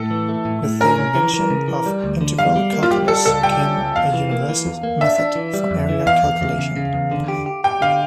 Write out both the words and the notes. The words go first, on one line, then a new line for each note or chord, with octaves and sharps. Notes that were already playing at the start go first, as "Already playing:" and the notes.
With the invention of integral calculus came a universal method for area calculation.
Already playing: A2 A4
E3
A3
A2
A2
C#4 A#4
C#4
E3
E3
C#3
E3
G3
D2
D3
G3 F5
G3
A#3
F4
G3 G4
G3 A4
C#2 A4
G3 G5
C#4
C#2
E2 F5
E3
A#3
E3
E2
A#3
D4 E5
D4
E3
G3
F2
E3
E2 F5
E2
E2
C#3
C#3
E2
D3
G4
G4
G4 G5
D3 F5